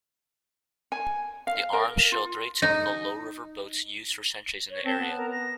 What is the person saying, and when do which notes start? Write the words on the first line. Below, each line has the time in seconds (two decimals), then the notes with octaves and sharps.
The arms show three typical low riverboats used for centuries in the area.
0.92 G#5
1.47 F5
1.73 A#4
2.12 F4
2.62 D#4
4.71 C#5
4.85 C4 A5
4.99 B3
5.18 A#4
5.31 A#6